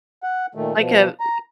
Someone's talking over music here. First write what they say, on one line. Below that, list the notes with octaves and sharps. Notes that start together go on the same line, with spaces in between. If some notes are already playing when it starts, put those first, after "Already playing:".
Like a b
F#5
A#2 D#3 A3
B2 F3
A#5